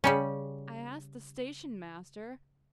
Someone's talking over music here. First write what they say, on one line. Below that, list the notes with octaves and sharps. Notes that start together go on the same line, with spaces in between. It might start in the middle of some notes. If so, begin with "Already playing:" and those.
I asked the station-master.
C#3 G3 C#4